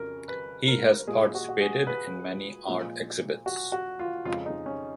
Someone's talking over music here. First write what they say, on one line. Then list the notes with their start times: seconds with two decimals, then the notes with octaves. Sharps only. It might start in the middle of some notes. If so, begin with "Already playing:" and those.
He has participated in many art exhibits.
Already playing: F2 C#3 F#3 C#4 A#4
0.28 B4
0.68 A#4
1.07 A#2 G#3 G#4
1.35 F#4
1.49 F#4
1.60 G#4
1.87 B4
2.67 A#2 F3 G#3
3.46 F#4
3.72 F#4
3.99 F4
4.25 F2 C#3 G#3 F4
4.46 D#4
4.66 C#4